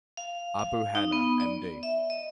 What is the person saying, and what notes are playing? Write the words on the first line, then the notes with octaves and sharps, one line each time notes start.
Abu Hena Md.
F5
F5
D#4
B3
D5
E5
D#5